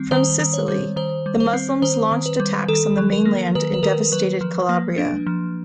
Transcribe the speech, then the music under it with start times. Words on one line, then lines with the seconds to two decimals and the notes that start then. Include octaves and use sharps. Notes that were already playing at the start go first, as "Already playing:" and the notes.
From Sicily, the Muslims launched attacks on the mainland and devastated Calabria.
Already playing: D#3 G3 C4
0.11 D#3 C5
0.39 D#3
0.54 C#5
0.68 G3
0.96 D#3 C5
1.26 G3
1.40 C5
1.53 C4
1.82 D#3 C5
2.12 D#3
2.26 B4
2.40 G3
2.68 D#3 A4
2.97 F#3
3.12 A#4
3.25 A#3
3.55 D#3 B4
3.74 B4
3.83 D#3 A#4
4.12 F#3 B4
4.41 F3
4.69 A#3
4.98 D4
5.27 F3